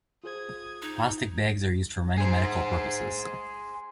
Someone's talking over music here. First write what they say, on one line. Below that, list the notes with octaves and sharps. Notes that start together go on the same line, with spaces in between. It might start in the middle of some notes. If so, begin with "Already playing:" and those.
Plastic bags are used for many medical purposes.
F4 G#4 C5 D#6 G#6
D#4
G#4 C5